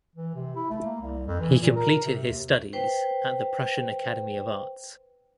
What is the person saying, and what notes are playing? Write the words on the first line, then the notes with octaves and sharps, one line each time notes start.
He completed his studies at the Prussian Academy of Arts.
E3
C3
E4
A3
A#3
C2
F2
E3
A#2
A#4
C3
D#2
B4 C5 G5